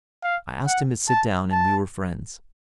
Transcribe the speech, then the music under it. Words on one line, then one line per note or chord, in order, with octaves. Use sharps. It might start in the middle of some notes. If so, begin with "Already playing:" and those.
I asked him to sit down and we were friends.
F5
F#5
A5
A5